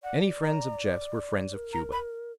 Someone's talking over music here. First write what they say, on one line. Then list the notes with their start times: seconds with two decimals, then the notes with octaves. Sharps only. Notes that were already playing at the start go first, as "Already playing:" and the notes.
Any friends of Jeff's were friends of Cuba.
0.03 D5 F#5
0.41 A#5
1.54 A#4
1.73 A#5
1.92 B5